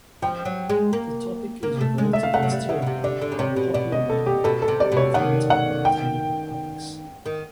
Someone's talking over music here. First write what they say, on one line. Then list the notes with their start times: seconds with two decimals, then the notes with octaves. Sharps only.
The topic is revolt against tyranny, a popular one in the volatile Italian republics.
0.22 F3 G5
0.45 F#3
0.69 G#3
0.93 A#3
1.63 A#3
1.81 A3
1.98 G#3
2.13 A3 E5
2.23 F5
2.33 A3 F#5
2.43 F#3
2.51 G3
2.69 C#3 E5
2.82 B2
2.86 C3
3.04 D3 D5
3.21 D3
3.32 C#3
3.39 C3 C#5
3.56 B2
3.74 B2 D5
3.92 D#5
4.10 A4
4.26 G4
4.44 B2 A4
4.62 A4
4.68 C3
4.80 D5
4.92 B2
4.97 C#5
5.14 D#3 F#5
5.50 F#5
5.85 G5
7.26 D#3